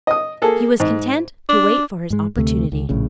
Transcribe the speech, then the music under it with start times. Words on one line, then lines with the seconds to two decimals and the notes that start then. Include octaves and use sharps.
He was content to wait for his opportunity.
0.07 D#5 D#6
0.42 A#3 G#4 A4
0.80 G#2
1.49 D4
2.10 G#2 G#3
2.36 D2 C3 G3 A3
2.72 C#2
2.89 A#1 A2 C#3